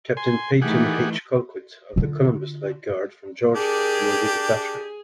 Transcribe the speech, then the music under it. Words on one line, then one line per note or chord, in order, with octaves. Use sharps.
Captain Peyton H. Colquitt of the Columbus Light Guard from Georgia commanded the battery.
G#5 C6
D#3 E3 A3 G4 G#4 F#5
D3 F4
D4 G4 G#4 A#4
G#4